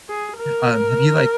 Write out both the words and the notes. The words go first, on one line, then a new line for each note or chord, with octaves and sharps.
um, have you like
G#4
A#4